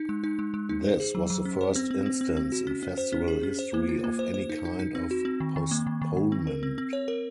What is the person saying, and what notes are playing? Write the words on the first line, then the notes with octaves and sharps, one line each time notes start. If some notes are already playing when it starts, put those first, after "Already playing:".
This was the first instance in festival history of any kind of postponement.
Already playing: D#4
G#3
D#4
G#3
G#3
D#4
C5
G#4
F#3
F#3
C#4
C5
C4
C4
C4
C4
C4
F#4
C#4
C#4
C5
C#4
G#4
C#4
C5
A#3
F4
A#3
C5
C5
D#4
D#4
D#4
C4
F#4
C4
D#3
D#3
A#3
D#3
D#3
D#3
C4
A#4
C4
C4
C#5
A#4